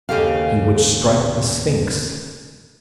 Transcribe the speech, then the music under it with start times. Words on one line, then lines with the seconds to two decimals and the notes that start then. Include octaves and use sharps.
He would strike the Sphynx.
0.09 D#2 C#3 A3 G4 A4 F5